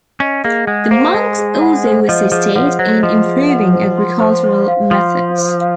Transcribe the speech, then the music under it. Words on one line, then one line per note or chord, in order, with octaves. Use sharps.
The monks also assisted in improving agricultural methods.
C#4 D#5
A#3 G#4
G#3 F#5
A#3 C5
G#3 D#5
G#4
F#5
C5
F3 D#5
F3 G#4
F3 F#5
F#3 C5
F3 D#5
G#4
F#5
C5
C6
C5
C5
F5
F3 C6
C5
C5
F5